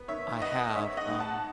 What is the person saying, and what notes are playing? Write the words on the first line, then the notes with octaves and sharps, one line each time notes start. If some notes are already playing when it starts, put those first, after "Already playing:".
I have, um
Already playing: B3
D#3 C#5 E5
B3 D#5 F#5
G#2 C#5 E5
D#5 F#5
G#2
F#5 A5